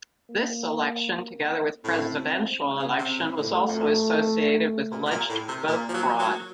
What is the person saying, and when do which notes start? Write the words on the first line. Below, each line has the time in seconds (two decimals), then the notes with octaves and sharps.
This election, together with presidential election, was also associated with alleged vote fraud.
0.31 A#3
1.84 A2 C4
2.61 C#4
2.80 C#3
2.99 C3 C4
3.18 A#2
3.37 A2 A3
3.68 F2
3.76 F#2
4.14 F2
4.40 F#2
4.91 A#2
5.05 C3
5.10 A#2
5.29 A2
5.48 C3
5.67 A#2 A#3
5.89 F3
5.94 F#3
6.19 F#3